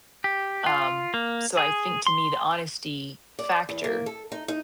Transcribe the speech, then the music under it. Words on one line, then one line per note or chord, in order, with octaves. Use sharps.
Um, so I think to me the honesty factor
G4
F4
A#3
G#4
C6
D5
E2
A#3
A4
D#4
D#4